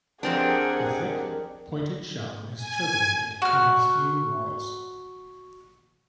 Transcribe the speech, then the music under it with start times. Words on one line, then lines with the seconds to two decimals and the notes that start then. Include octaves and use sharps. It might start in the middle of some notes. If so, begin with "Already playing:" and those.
The thick, pointed shell is turbinated and has few whorls.
0.23 F2 C4 D4 G4 G#4 A#4 F#5
2.57 G#5
3.42 F#4 F6